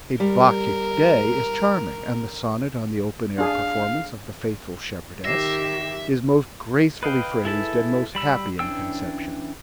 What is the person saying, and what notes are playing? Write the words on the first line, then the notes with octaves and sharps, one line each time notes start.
A Bacchic Day is charming, and the sonnet on the open-air performance of The Faithfull Shepherdesse is most gracefully phrased and most happy in conception.
G3 A#4
D4 G#4 F5
D#3 G4 E5 A#6 C7 E7
B4 D#5 F5 G5
E4 G#4 A4 B4 E5
G3 B5 E6
E3 C#4 D4 G5 E6